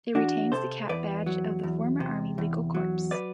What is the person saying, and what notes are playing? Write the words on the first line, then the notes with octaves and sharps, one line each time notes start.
It retains the cap badge of the former Army Legal Corps.
E2 D4 F#4
C3 A4 C5
E2 B4 D5
F#3
E2
C3
E2
F#3
B4 D5